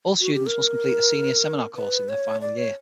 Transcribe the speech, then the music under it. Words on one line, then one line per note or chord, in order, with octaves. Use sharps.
All students must complete a senior seminar course in their final year.
F#4
G4
A#4
B4
C#5
D5
C#5